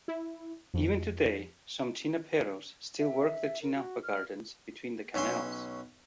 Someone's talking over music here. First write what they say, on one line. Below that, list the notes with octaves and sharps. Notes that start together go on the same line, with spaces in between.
Even today, some "chinamperos" still work their chinampa gardens between the canals.
E4
F2
E5
A#4
F#4
F6
B1 C#4 E5 G#5 C6